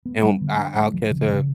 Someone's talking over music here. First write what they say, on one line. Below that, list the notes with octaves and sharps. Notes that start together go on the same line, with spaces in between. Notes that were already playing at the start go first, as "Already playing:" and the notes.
and I I'll catch her
B3
G3
D3
D4
G#3
F3
C#3
C#3